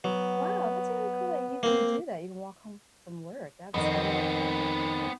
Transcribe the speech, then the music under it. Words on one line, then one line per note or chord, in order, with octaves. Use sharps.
Wow, that's really cool that you can do that, you can walk home from work. That's I know
F#3 B3
A#3 C4
F2 D#3 B3 C4